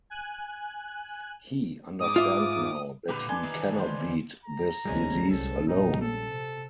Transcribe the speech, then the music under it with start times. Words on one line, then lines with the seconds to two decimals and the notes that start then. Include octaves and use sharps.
He understands now that he cannot beat this disease alone.
0.10 G#5 F#6
2.00 G#2 D6 D#6
2.16 F4 E5
3.09 A#2 D3 G4 B4
3.29 D4 G#5 C6
3.43 D#3 E3
3.79 C5
4.45 A#5
4.85 F1 D2 G3 G#3 C#4
5.30 C2 A4
5.68 A#1 D#4
6.01 A4
6.30 C3